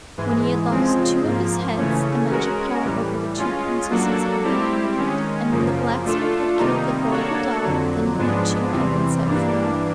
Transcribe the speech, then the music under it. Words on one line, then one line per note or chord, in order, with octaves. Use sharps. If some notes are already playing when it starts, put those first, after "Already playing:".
When he had lost two of his heads the magic power over the two princesses had been removed, and when the blacksmith had killed the horrible dog, then he too had been set free.
G#2 E3 G#3
C#3 F3 G#3 C4
G#2 F3 A#3
C#3 E3 A3 C#4
G#3 C#4 F#4 A#4
A2 E3 G3
G#3 C#4 F4
F#3 A#3 D4 F#4 A4
G3 C4 E4 G4
D#3 G#3 C#4
F#2 C#3 F3 A#3
A3 D4 F4 A4
C3 D#3 G3 A#3 D#4
A#3 D4 F#4 A4 C#5
F2 D3 F#3
G#2 F3 G#3 B3 D4
E2 C3 E3 G3 C4
G2 E3 G3 A#3 D4